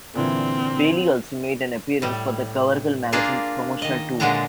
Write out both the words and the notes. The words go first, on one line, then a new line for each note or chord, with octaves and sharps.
Bailey also made an appearance for the Covergirl Magazine promotional tour.
A#2 D3 E3 C4
A2 G3
A#3 D4 F4 G#4 A#4
D#3 D#5
A#2 D3 F#3 G#3 D4 A#5